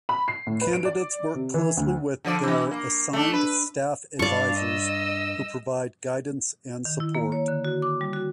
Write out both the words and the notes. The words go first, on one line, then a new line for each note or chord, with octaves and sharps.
Candidates work closely with their assigned staff advisors, who provide guidance and support.
B5
C7
A2
B4
D7
D5
C3
E3
D2
D3 F3 D5
B2 E3
A#3
A3 D4
B4
G2 D4 D5 F5 C#6
D#5 E6
D#3
E4
A#3
C#5
D3
F#4
D6
G3
F#4